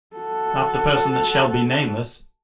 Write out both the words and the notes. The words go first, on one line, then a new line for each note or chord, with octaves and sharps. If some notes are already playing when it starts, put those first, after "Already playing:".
Not the person that shall be nameless.
F#4 A4